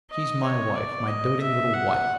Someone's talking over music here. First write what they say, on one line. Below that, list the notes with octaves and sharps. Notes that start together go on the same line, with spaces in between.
She's my wife, my doting little wife.
D#5
C#5
D5
D#5
E5
F#5